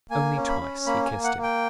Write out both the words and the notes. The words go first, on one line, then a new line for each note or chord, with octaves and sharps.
Only twice he kissed him.
A#3 G#5
C#4
B5
C#4
A#3 B5
G#5
A#3
F#5
A#3
G5